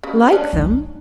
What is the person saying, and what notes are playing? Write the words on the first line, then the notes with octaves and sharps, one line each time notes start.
"Like them!"
C#3
C#4 D4
D#4